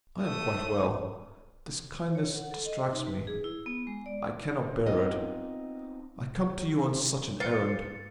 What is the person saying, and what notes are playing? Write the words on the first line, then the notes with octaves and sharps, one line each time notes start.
"I am quite well. This kindness distracts me--I cannot bear it--I come to you on such an errand!"
A3 D#6
C#5
F#5
A4
D#5
D#4
B4
G#4
E4
B3
G#3
D5
B3 C4 D#4 F4 D#5
F4 B4 A6 C#7